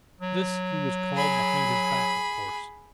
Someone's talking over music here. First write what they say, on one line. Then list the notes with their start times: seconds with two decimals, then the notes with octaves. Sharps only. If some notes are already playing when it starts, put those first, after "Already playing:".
This he was called behind his back, of course.
0.21 F#3
1.15 G#4 B5